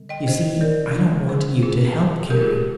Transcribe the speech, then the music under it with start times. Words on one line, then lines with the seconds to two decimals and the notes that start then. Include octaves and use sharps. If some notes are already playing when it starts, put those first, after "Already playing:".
"You see--I don't want you to help caring."
Already playing: D3 G3 C4
0.09 D#5 G5
0.27 C5 D#5
0.61 A#4 D5
0.95 G#3 D4 F4
1.29 G#4 C5
1.63 F4 G#4
2.30 D#3 G#3 D#4 G4 A#4
2.41 F4 G#4
2.53 G4